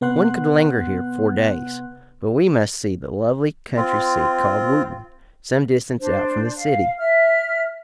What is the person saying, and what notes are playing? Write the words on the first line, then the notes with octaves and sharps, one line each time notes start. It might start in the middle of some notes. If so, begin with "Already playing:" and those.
One could linger here for days, but we must see the lovely country-seat called "Wootton," some distance out from the city.
C3 B3 B4 F#5 C6 F#6
C4 F4
D4 C5
F5
E5 F6